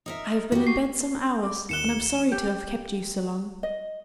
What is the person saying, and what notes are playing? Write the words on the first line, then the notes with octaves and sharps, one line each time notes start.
"I have been in bed some hours, and I'm sorry to have kept you so long."
D#4 A#4 E5
F#4 G4
C#6 C7
D6
D#2 A#4 F#6 C#7 E7 G7
G4
D#5